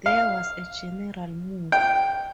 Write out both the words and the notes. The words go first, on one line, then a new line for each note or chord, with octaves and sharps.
There was a general move.
F5
G5